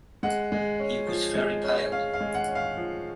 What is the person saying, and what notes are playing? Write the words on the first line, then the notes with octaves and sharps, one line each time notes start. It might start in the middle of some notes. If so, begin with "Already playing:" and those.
He was very pale.
G#3 F#5
G#3
C#4
F3
G#3
C#4
C#4 F5
F5
G#3
F#5
C#4
F5
F3